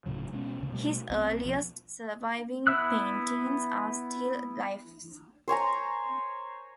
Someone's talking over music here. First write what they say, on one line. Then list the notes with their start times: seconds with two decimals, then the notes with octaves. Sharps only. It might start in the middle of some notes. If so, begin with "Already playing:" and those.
His earliest surviving paintings are still lifes.
0.06 D1 A2 C#3 F#3
0.32 B2 G#3 B3 C#4
0.60 D2 C#3
0.72 B2 G3 A3
1.10 C2 B3 C4
1.45 B1 F3
2.67 B3 E4 E5 E6 F#6
5.48 C5 C#5 G#5 A#5